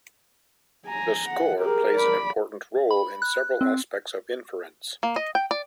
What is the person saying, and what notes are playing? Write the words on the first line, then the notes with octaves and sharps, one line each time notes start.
The score plays an important role in several aspects of inference.
G#5 A#5
F#5
G4 G#4 A#4
D5 B5
B5
F#6
C4
A#3
D#5
G5
D5